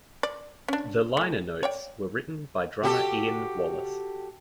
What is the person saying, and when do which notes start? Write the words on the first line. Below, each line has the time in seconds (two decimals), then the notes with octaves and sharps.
The liner notes were written by drummer Ian Wallace.
0.23 D5
0.68 C#4 D4
1.17 A3 E4
1.63 C#5 D5 G5
2.83 F#4 G4 A4